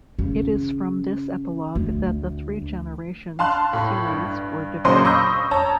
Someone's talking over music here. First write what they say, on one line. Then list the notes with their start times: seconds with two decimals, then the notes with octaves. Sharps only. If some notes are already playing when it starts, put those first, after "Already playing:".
It is from this epilogue that the three Generations series were developed.
0.19 C#3
1.75 D2
3.39 F5 A5 C6 F#6
3.73 A2
4.08 G2
4.84 A#2 C#3 F#3 C5 D#5 C6
5.05 B5 C#6 D#6 E6 G6 A#6
5.51 C#5 A5 A#5